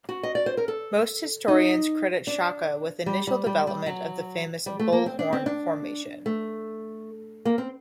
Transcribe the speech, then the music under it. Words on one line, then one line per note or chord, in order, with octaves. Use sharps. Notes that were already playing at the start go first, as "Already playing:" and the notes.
Most historians credit Shaka with initial development of the famous "bull horn" formation.
F#4
D#5
D5
C5
A#4
A4
D#4
D4
G3
G3
G3
G3
F#3
G3
A3
A#3
C4
D4
C4
D4
A3
A#3
C4